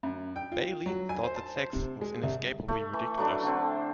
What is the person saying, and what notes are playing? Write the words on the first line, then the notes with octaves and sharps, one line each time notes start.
Bayley thought that sex was inescapably ridiculous.
F#2
G5
F4
F#3
G#5
C5
A5
C5
C3
G#3
C2
A3
E3
F#3 A3 D4 E4
D3 C4